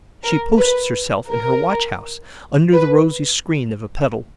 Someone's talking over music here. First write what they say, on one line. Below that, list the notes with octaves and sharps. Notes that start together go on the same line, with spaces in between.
She posts herself in her watch-house, under the rosy screen of a petal.
A#4
B4
A#4
B4